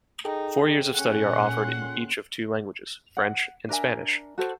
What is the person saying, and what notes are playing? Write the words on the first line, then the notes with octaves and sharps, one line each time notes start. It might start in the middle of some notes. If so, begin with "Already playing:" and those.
Four years of study are offered in each of two languages: French and Spanish.
D#4 G#4 A4 G5
A#2 C#4 F#5 C6 F#6
F#5
D4 A#4 E5 G#5
F#4 A4 C5